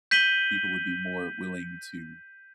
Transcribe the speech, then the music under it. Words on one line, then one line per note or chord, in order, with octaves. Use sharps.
people would be more willing to,
G6 B6 D#7 F#7 G7